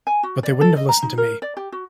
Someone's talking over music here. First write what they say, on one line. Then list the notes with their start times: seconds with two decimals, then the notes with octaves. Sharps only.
But they wouldn’t have listened to me.
0.07 G#5
0.23 F#4
0.43 D5
0.61 A4
0.77 D#5
0.89 A#5
1.02 D#4
1.18 A#4
1.42 D5
1.57 G4
1.72 F#4